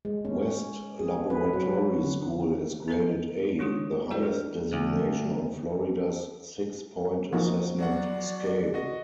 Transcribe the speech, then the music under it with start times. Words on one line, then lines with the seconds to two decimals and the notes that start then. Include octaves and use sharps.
West Laboratory School is graded "A", the highest designation on Florida's six-point assessment scale.
0.05 G#3
0.25 C#4
0.99 G#4
1.30 B4
1.53 F#3
2.04 D3
2.88 B3 C4 G#4 A4 B4 D#5
3.59 D#3 G#3 D4 D#4 F4
4.11 E4 F#4 A4 D5 D#5
4.23 D4 G4
4.73 D2
7.33 F3 A#3 D#4 F#4
7.79 F#3 F#4 D5 F#5
8.74 F#4 D#5 A#6